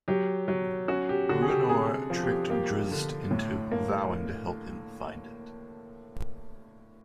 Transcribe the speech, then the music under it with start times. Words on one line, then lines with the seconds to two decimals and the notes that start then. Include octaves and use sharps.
Bruenor tricked Drizzt into vowing to help him find it.
0.08 F#3 G4
0.48 F#3
0.88 C#4 F#4
1.09 G4
1.29 D3 F#4
1.42 G#4
1.49 G4
1.69 C3 G#4
2.10 F3
2.23 G4
2.50 A#3 G4
2.91 D3
3.31 A2
3.72 A#3